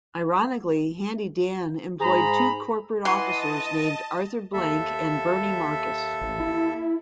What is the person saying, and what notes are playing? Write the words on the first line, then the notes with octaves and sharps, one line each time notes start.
Ironically, Handy Dan employed two corporate officers named Arthur Blank and Bernie Marcus.
G#2 G#4 C5 A#5 B5
E3 D#5 F#5 A5 C6 D#7
D#2 A4 E5
A1
E4